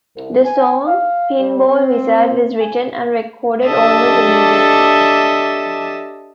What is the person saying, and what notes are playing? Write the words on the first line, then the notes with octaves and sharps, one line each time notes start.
The song "Pinball Wizard" was written and recorded almost immediately.
C2
G#5
F5
G3
C4
G#5
D4 G4 A4 D#5 E5 A5